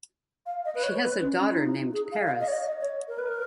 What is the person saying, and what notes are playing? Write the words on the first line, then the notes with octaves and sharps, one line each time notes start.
She has a daughter named Paris.
F5
D#5
B4
C#5
B4
C#4
C#4
F4
D#4
G#4
F5
F5
D#5
C#5
D#5
D#5
C#5
A#4
B4
A#4